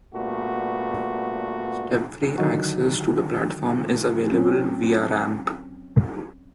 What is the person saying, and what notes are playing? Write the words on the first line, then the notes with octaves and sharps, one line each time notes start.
Step-free access to the platform is available via ramp.
G2 A#2 A3 B3 F#4
D3 D#3 F#3 D#4 F#4
F#3 C4 C#4